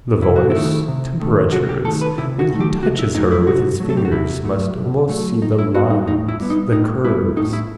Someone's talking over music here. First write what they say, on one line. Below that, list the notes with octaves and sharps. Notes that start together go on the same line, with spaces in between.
The voice, temperatures: when he touches her with his fingers must almost see the lines, the curves.
C3 E4
F#4
E4
D#3 A3
C3
D#3 A3
C3 F#4
G4
D#3 A3 A4
B4
C3 E4
F#4
D#3 A3
G4
C3 F#4
E4
F#3 A3 D#4
E4
C3 F#4
F#3 A3
A4
G4
F#4
C3 E4
F#3 A3
C3
F#3 A3
A2 D#4
E4
G3 B3 F#4
D#4
A2 D#4
E4
G3 B3
D#4
A2 D#4
G3 B3 E4
A2 D#4
E4